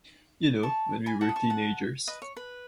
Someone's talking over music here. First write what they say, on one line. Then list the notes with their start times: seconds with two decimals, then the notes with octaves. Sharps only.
You know, when we were teenagers.
0.63 A5 C#6
1.06 G#5 B5
1.21 F#5 A5
1.29 D#6
1.36 A5 C#6
1.50 F#5 A5
2.08 B4 D#5
2.22 C#5
2.37 B4